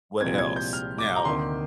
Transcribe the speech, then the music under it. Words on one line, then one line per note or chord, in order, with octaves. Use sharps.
what else? Now,
C2 A#2 F3 G#3 C4 G#6
G#6
G6
F6
D6
A#5
D2 C3 D#3 A#3 C6